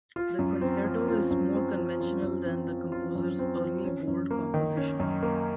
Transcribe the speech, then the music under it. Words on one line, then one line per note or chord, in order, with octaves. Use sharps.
The concerto is more conventional than the composer's early bold compositions.
F4
F#2
C4
F3
F4
F#2
C4
F3
F4
F#2
C4
F3
F4
F#2
C4
F3
C#4
F#2
A#3
D#3
C#4
F#2
A#3